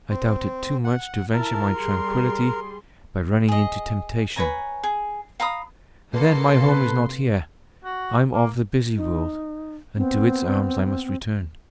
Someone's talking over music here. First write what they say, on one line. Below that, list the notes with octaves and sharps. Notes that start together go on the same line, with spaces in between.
I doubt it too much to venture my tranquillity by running into temptation: and then my home is not here. I'm of the busy world, and to its arms I must return.
C4
F#5
E4 A#4 A5
G3 G#4 C6
G#4 D#5
B4 C#5 G#5 A#5
G#4
F5 A#5 B5 D#6
D3 A#3 A4 B4 C6
C3 B4
F#4
A#3
D#4
B3 C4